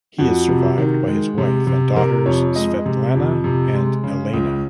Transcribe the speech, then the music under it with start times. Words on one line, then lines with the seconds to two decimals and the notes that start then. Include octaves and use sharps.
He is survived by his wife and daughters Svetlana and Elena.
0.18 F2 F#4
0.48 C3
0.78 D#3
1.08 G#3
1.38 C3
1.67 C3
1.96 C3 A#4
2.26 F2 C#5
2.56 G#3 D#5
2.86 C3
3.15 F2
3.44 C3
3.74 G#3
4.04 C#3
4.33 C#2